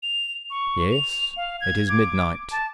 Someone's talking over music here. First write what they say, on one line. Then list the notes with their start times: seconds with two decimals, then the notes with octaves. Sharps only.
"Yes, it is midnight."
0.03 F7
0.50 C#6
0.92 F7
1.37 F5
1.61 G#6
1.89 D6
2.51 A5